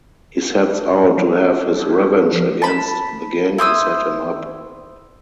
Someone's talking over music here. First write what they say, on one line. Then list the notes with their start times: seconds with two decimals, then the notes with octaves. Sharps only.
He sets out to have his revenge against the gang who set him up.
1.18 F#3
1.37 A4
2.33 F3
2.62 A5 B5
3.58 E4 C5 D#6 E6